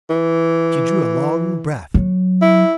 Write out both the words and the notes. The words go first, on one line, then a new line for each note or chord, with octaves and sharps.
She drew a long breath.
E3
F#3
E4